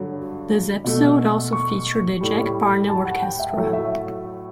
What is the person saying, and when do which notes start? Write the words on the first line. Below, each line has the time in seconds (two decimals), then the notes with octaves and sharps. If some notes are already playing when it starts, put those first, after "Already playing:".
This episode also featured the Jack Parnell Orchestra.
Already playing: G2 D3 F#3
0.84 B2 A3
1.53 C#6
2.21 A2 G3
2.88 A5
3.05 F#5
3.22 G5
3.40 E5
3.56 A2 F#3 A3
3.73 E5